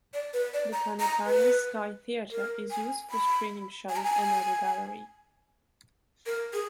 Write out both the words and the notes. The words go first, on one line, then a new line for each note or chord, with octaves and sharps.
The planetarium's sky theatre is used for screening shows and as a gallery.
D5
B4
D5
A#5
A#5
B4
A#4
G#5
B5
G#5
A#5
G#5
A#4
G#4